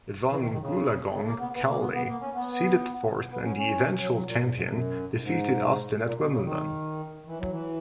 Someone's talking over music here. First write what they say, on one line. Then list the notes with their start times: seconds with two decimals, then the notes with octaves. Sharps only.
Evonne Goolagong Cawley, seeded fourth and the eventual champion, defeated Austin at Wimbledon.
0.30 E3
0.39 D#3
0.51 D#3
0.60 C#3
1.11 C#3
1.26 A#3
1.39 B3
1.53 B3
1.67 A#3
1.80 B3
1.93 B3
2.08 A#3
2.21 C#4
2.35 B3
3.30 B3
3.43 C#4
3.57 C#4
3.99 F#3
4.12 F#3
4.26 A#2
4.39 G#2
4.47 A#2
4.53 G#2
4.67 F#2
5.21 G#2
6.04 A#2
6.17 B2
6.31 C#3
6.44 D#3
7.26 E3
7.39 F#3
7.50 E3